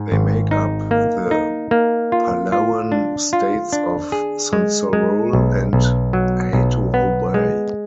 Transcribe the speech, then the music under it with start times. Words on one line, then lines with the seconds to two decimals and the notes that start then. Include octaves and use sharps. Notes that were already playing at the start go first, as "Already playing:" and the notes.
They make up the Palauan states of Sonsorol and Hatohobei.
Already playing: G#2
0.12 G#1
0.51 D#4
0.91 A#3
1.31 D#4
1.71 A#3
2.12 F4
2.52 F4
2.92 D4
3.33 F4
3.73 D4
4.12 G#4
4.53 G#3
4.93 G#3
5.33 B1
5.73 B1
6.13 F#3
6.53 B1
6.94 B3
7.34 G#3